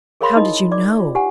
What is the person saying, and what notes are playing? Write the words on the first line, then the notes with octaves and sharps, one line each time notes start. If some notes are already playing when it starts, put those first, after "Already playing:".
"How did you know?"
G#4 A#4 C#5 F5 B5 C6
D#4 E4 D#5 D#6
D5 D6
F4
G4 C5 F#5 G#5